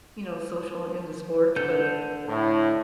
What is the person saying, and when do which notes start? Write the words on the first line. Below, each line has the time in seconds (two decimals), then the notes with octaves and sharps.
you know, social and into sports, but
1.56 D3 A4 G6
2.27 A2